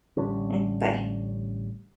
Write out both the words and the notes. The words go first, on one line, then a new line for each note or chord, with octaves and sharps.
Mm, bye.
A1 D3 G3 C#4